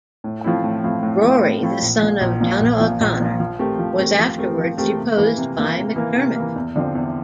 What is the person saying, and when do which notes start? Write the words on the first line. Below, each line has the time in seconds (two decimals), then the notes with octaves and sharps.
Rory, the son of Donough O'Conor, was afterwards deposed by Mac Dermot.
0.24 A2
0.44 F3 A3 C4 E4
0.64 A2
0.84 F3 A3 C4 E4
1.03 A2
1.22 F3 A3 C4 E4
1.43 A2
1.63 F3 A3 C4 E4
1.82 A#1
2.02 A#2 F3
2.21 A#1
2.41 A#2 F3
2.61 A#1
2.80 A#2 F3
3.01 A#1
3.20 A#2 F3
3.40 F3
3.59 A3 C4 G4 A#4
3.79 F3
3.99 A3 C4 G4 A#4
4.19 F3
4.38 A3 C4 G4 A#4
4.59 F3
4.78 A3 C4 G4 A#4
4.97 C3
5.17 E3 A#3
5.38 C3
5.56 E3 A#3
5.76 C3
5.96 E3 A#3
6.15 C3
6.36 E3 A#3
6.56 E2
6.76 D3 F3 C4
6.95 E2